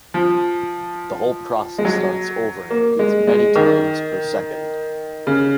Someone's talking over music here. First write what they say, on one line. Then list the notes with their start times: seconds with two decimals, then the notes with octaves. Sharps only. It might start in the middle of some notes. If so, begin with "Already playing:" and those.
The whole process starts over and repeats many times per second.
0.14 F3
1.78 G#3
1.85 F#3
2.70 A#3
2.99 G#3
3.27 G#3
3.56 D#3
5.27 C#3